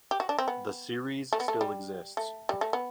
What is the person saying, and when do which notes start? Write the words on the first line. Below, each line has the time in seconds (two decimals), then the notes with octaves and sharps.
The series still exists.
0.11 G4
0.20 F#4
0.29 D4
0.39 C4
0.48 B3
1.33 A3
1.40 B3
1.48 A3
1.61 G3
2.17 A3
2.49 G3
2.61 A3
2.73 B3